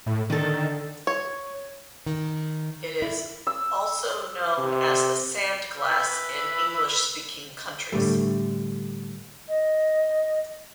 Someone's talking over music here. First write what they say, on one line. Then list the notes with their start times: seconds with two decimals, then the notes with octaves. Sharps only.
It is also known as The Sandglass in English speaking countries.
0.06 A2
0.30 D3 D#3 A4
1.07 C#5
2.06 D#3
3.02 E4
3.47 E6
4.58 C3
5.80 B4 E6
7.92 A2 D3 G3 A3
9.49 D#5